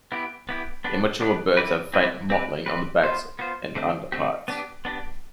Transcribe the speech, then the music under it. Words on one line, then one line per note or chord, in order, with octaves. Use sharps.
Immature birds have faint mottling on the back and underparts.
B3 E4 G4
B3 E4 G4
B3 D4 G4 B4
B3 D4 G4 B4
C4 E4 G4 B4
C4 E4 G4 B4
C4 G4 B4
C4 G4 B4
B3 F4 C5
B3 F4 C5
D3 A3 C4 G4
D3 A3 C4 G4
B3 D4 G4
B3 D4 G4